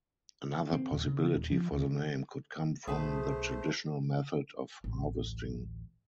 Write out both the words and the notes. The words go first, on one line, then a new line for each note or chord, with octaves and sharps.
Another possibility for the name could come from the traditional method of harvesting.
C4
D#1
C#3
D#1
F3
D2
B1 A3 G#4 B4 C5 A5
A1 D2